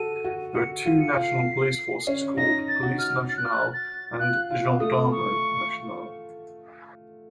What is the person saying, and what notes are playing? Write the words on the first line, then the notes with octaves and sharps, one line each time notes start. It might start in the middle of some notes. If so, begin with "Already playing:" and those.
There are two national police forces called "Police nationale" and "Gendarmerie nationale".
Already playing: F#4 A4 D#7
F#4
F#4 C#7
D#7
F4
C#7
F4
C7
C#4
D#4 A#6
A6
F#4
F6
A6
F#6
F6
F#6
A6
F4 F#6
F4
A3 D#6
C#6